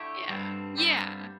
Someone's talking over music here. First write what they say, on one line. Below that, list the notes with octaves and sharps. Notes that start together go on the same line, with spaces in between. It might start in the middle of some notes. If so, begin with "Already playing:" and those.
Yeah, yeah.
Already playing: D3 A3 E4 G4
G2 D3 G3 C4
G2 D3 G3 C4